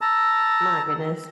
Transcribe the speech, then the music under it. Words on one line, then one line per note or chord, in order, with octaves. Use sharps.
My goodness.
A5 A#5 E6